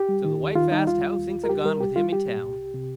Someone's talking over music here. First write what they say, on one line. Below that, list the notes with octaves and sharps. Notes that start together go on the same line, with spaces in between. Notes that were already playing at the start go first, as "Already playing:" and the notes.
So the wife asked how things had gone with him in town?
Already playing: G4
G3
D#3
D#2
D#3 F4
G3 D#4
D#2 F4
G3
D#2
D#2
A#4
G3 G4
G3 A#4
C2 G4
G3 F4
G3 G4
A#2
C2
C2
C3